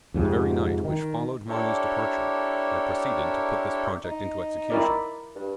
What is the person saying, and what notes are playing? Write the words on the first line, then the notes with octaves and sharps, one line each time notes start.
The very night which followed Marnoo's departure, I proceeded to put this project into execution.
F2 G#2 C3
D#3
D4 E4 G4 A4 A#4 C#5
D#4
E4 A#4 D5
G2